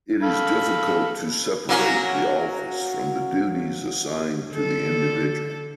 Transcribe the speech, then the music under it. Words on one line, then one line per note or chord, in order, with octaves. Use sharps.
It is difficult to separate the office from the duties assigned to the individual.
A4 F5 B5
F#3 A#3 C#4
D3 A4